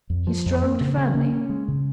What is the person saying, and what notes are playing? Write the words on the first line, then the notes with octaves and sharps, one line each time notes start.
He strode firmly.
F2
F3
F2
A#3
C#3
C#3
A#3
C#4
G#3
C#3